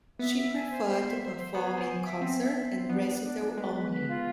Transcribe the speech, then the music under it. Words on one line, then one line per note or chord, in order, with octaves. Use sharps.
She preferred to perform in concert and recital only.
B3 E5
E5
G#5
C5
C5
E5
C5
C5
B3 G#5
C5
B3
G#5
E5
C4 C5
E5
C5
C5
B3 D4
D4
D4
D4
G#3 B4
B4
B4
F4